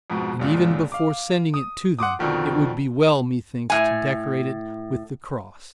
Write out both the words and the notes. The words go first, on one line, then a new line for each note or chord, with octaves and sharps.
And even before sending it to them it would be well, methinks, to decorate it with the Cross.
F2 G#2 B2
G1 C#2 A#2
F5 D6
D#6
F#5 C6 D6 D#6
F2 B2 D3 D#3 F3
A2 G#5